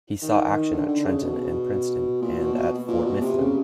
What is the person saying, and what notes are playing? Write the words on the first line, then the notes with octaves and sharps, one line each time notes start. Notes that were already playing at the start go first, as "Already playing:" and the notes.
He saw action at Trenton and Princeton, and at Fort Mifflin.
D#3
D#3
D3
D3
C#3
B2
A#2
B2
B2
A#2
B2
C3
C#3